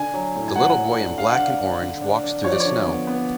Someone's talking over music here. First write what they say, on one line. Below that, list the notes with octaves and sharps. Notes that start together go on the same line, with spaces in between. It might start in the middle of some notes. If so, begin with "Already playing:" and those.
The little boy in black and orange walks through the snow.
Already playing: D3 D4 G#5
F#3
A2
G#5
F#3 F#5
F#3
D4
D3 F5
F#5
D4 F5
D4
D3
D4
D4
F3 C#5
D5
C#5
D3
B3
B3